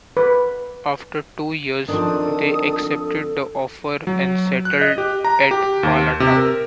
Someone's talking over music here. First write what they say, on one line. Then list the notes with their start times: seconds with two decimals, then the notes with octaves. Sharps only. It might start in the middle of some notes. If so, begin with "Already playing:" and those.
After two years, they accepted the offer and settled at Balata.
0.17 B4
1.88 D#3 F3 C4 D4 A4 D#6
4.07 F#3
4.65 F#6
4.81 D#5
4.98 G4
5.25 A#5
5.51 G4
5.83 D#2
6.20 C3
6.37 A#4